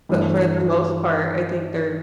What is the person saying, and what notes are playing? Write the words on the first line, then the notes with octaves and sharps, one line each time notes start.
But for the most part, I think they're
G2 E3 A3